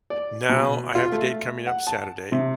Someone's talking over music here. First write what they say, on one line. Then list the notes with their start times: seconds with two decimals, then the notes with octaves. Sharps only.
now I have the date coming up Saturday,
0.10 D5
0.49 B2
0.95 F4
1.12 A3
1.67 F#5
1.87 A5
2.32 C3